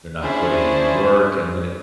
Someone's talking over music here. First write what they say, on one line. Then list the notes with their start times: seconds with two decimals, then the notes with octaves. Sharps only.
They're not putting in the work, and then it
0.21 C#4 D4 E4 G#4 C5 D5